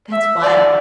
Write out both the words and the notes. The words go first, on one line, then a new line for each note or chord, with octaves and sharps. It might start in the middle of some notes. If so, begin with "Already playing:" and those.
That's wild.
E5
D5